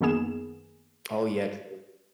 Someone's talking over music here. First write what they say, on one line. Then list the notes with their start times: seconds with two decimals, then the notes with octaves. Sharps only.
Oh yeah, true,
0.01 F#2 D#3 A#3 B3 G#4 E7